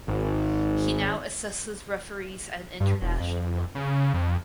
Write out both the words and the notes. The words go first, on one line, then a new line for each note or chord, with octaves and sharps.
He now assesses referees at an international level.
G#1
G2
E1
F2
C#3
F2